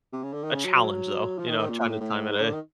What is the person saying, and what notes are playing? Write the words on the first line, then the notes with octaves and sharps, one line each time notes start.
a challenge, though, you know, trying to time it, eh.
C3
C#3
D3
D#3
C#3
F#3
F#3
F3
D#3
D#3
A#2
A#2
A2
A2
G#2
D3
D#3